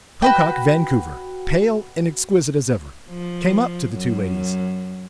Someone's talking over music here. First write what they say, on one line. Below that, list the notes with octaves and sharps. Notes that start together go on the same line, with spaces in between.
Pocock Vancouver, pale and exquisite as ever, came up to the two ladies.
F#4 B4 G5
F3
F#2